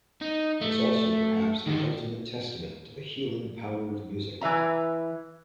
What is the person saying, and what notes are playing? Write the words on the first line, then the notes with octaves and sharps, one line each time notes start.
It's also perhaps the ultimate testament to the healing power of music.
D#4
A3
D3 D#3
E3 B4 E5 A#5